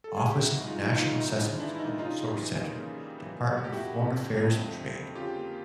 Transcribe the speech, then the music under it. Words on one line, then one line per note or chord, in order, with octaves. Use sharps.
Office of National Assessments Open Source Centre, Department of Foreign Affairs and Trade.
A4
G#4
G4
G#2 E4 F#4
G#3
D#4 F4
E3
D#4 F4
G#2
G#2 D#4
G#3 D4 E4
E3 D4 E4
E4
G#2 D#4
C#3 D#4 F4
G3
E3
A#3
C#3
G3
E3
A#3
F2 F#4
G4
F3 E4 F#4
D3
F2
F2
F3
D3
F2
C#3 F4 G4
A#3